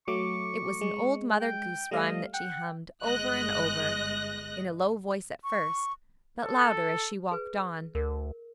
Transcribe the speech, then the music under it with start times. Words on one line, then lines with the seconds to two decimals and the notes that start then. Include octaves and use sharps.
It was an old Mother Goose rhyme that she hummed over and over, in a low voice at first, but louder as she walked on.
0.08 F#3 A3 C#6 D6
0.81 G#3
1.40 G5
1.91 G3 A3 D#5 F5
2.34 F#5 G5
3.03 G1 G#3 D#5 F#6 A#6
5.44 C#6
6.43 A4
7.32 G#4 B4
7.95 D2 A#4